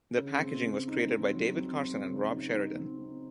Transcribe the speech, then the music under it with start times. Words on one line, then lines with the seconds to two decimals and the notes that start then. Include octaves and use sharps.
The packaging was created by David Carson and Rob Sheridan.
0.17 C#3
0.40 C4
0.64 C4
0.88 D#4
1.11 C4
1.34 F#3
1.57 C4
1.81 C4
2.04 C#3
2.27 D#4
2.51 D#4
2.75 C4
2.98 C4